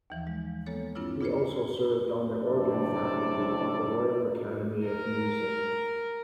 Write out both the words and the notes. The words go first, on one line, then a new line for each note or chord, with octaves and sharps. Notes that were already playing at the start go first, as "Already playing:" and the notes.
He also served on the organ faculty of the Royal Academy of Music.
D#2 E3 F3
G#3
G#3 A#3 B3 A4 C#5
G2 C4 D4 E4 F4
B3 D4 F4 G#4 C5 C#5
F#1 A2 C3 D4 A4 D5
A#4